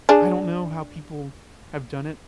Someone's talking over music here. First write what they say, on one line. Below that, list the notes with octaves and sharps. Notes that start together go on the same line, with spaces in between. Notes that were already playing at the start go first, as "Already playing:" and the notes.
I don't know how people have done it.
D4 G#4